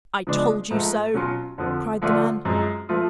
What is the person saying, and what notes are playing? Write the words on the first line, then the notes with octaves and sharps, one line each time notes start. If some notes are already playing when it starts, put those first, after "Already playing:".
"I told you so," cried the man.
C#3 F3 G#3 B3 D4
G#2 F3 A3
B2 F#3 C#4 F4
F2 D3 F3
D3 F3 A3 D4 F4
F#2 F3 G#3
F3 A3 F4